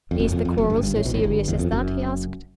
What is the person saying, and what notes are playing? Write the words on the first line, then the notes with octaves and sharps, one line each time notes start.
"Is the quarrel so serious as that?" he asked.
F2
F#1 F#2
F2
F2
F#1 F#2
G1 G2
G1 G2
A1 A2
B1 B2
A1 A2
G1 G2
E2
F2
F#1 F#2